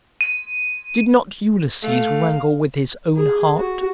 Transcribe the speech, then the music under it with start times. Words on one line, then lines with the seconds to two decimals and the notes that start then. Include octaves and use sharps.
Did not Ulysses wrangle with his own heart?
0.21 D#7
1.83 A3 F5
3.16 G#4
3.57 F#4